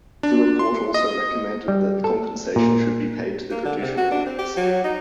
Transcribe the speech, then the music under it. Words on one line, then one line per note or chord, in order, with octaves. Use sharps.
The report also recommended that compensation should be paid to the traditional owners.
D4
C6
D#5
G3
A4
A#2
A#3
D3
C3
F#4
D4
C4
G4
F#3
D#4